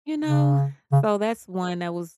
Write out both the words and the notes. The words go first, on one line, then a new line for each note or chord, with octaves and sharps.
You know? So, that's one that was
C#3
C#3